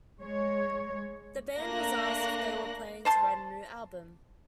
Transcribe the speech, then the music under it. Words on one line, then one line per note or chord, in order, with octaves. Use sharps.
The band was asked if they were planning to write a new album.
G#3 C#5
A3 A#3 D4 A#4 F#6 A#6
C5 A5 C6